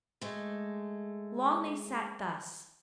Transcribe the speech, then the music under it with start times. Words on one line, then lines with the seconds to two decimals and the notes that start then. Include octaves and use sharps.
Long they sat thus.
0.21 G#3 A3